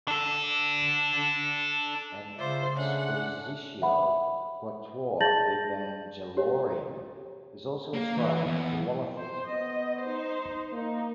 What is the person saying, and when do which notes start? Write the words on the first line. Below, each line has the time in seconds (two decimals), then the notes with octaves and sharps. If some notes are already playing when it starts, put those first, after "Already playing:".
An "Expositio quatuor Evangeliorum" is also ascribed to Walafrid.
0.08 D4 A4
2.38 C#3 F4 C5 D5 E5
2.76 A3 C#4 D4 F#5
3.82 E5 F#5 B5
5.21 G#4 A5 G6 A6 A#6 F#7
6.37 G4 C#5
7.94 A#3
8.18 E3
8.46 E2
9.17 C5
9.50 B3 D#5
10.02 D#4 C5
10.72 A#3 D#4